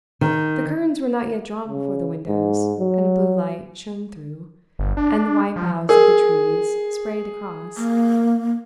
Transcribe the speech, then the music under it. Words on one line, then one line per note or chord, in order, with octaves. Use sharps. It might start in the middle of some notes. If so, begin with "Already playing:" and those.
The curtains were not yet drawn before the windows and a blue light shone through, and the white boughs of the trees sprayed across.
D#3
C#3
G#2
F#3
G1
D4
F3
G#4 A#4
A#3